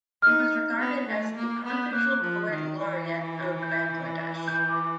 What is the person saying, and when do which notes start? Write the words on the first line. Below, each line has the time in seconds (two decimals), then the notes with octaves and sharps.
He was regarded as the "unofficial poet laureate" of Bangladesh.
0.22 D#4 F6
0.80 B3
1.08 A3
1.36 A#3
1.64 B3
1.83 G6
1.92 A#3 F#6
2.21 F3
2.50 D#3
2.78 E3
3.63 G6
4.48 G6
4.69 D6